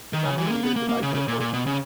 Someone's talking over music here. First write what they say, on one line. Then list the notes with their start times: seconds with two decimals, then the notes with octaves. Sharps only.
The Family Leader denied the report.
0.13 D#3
0.25 C#3
0.38 E3
0.46 G#3
0.51 A#3
0.63 B3
0.76 A#3
0.89 A#3
1.03 C#3
1.14 C#3
1.28 A#2
1.40 A#2
1.53 B2
1.67 C#3